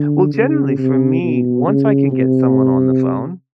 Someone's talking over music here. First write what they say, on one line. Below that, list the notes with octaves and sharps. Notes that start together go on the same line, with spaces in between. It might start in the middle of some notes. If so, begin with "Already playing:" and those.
Well, generally, for me, once I can get someone on the phone,
Already playing: D3
C#3
C3
B2
C#3
C3